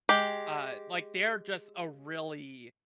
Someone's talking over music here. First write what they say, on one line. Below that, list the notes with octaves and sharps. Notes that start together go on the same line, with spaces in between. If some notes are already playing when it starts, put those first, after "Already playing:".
uh, like, they're just a really
G#3 G4